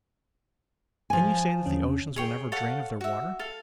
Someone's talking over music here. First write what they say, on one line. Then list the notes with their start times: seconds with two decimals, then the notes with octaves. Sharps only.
Can you say that the oceans will never drain of their water?
1.10 F3 G#5
1.66 E2 D3 C#4
2.16 G#4 C#5 G5
2.52 A4 C#5 F5 F#5
3.01 F#4 E5
3.39 A4 F5